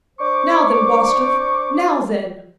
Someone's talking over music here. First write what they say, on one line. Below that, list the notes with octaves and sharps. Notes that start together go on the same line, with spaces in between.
"Now then, Wostov, now then!"
D4 C5 C#6 D6